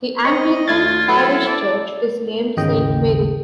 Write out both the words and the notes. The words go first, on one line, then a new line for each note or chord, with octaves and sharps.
The Anglican parish church is named Saint Mary.
C4 D#5 C#6
D#2 A3 D4 F4 G#6 A6
F#3 B3 E4 A4
D5 E5
G#1 D#2 C#3 E3 D#5 G5